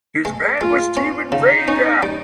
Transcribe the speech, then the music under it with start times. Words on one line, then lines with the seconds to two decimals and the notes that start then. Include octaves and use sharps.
His ban was Stephen Prasca.
0.25 G#3
0.61 G#3 F4
0.97 C#4
1.32 C#3 D#4
1.68 C#4
2.03 G3